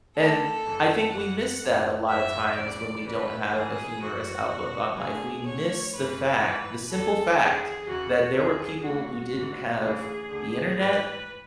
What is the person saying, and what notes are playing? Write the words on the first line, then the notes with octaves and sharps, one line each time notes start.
And I think we miss that a lotta times when we don't have a humorous outlook on life, we miss the fact the simple fact that there were people who didn't have the internet,
D2 D3 A4
F#2 C#3 E3
F#2 E3 F#5
F#2 D3
F#2 E3 E5
E2 C#3 E3 D5
D2 C#3 E3 B4
G#2 E3 G#4
F#2 E3 F#4
E2 B2
D2 D3 G#4
D2 D3 C#5
F#2 C#3 E3 B4
G#2 E3
E2 D3 A4
E2 D3 G#4
E2 C#3 E3 F#4
E2 D3 G#4
D2 C#3 E3 F#4
G#2
E3
D2 C#3 E3 G#4
D2 D3
G#2 E3 B4